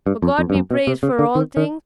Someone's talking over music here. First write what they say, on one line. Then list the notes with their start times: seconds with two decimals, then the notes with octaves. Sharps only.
But God be praised for all things!
0.07 G2
0.22 F2
0.39 F2
0.50 G2
0.55 F#2
0.71 B2
0.87 C3
1.03 C#3
1.19 D3
1.35 D#3
1.57 D#3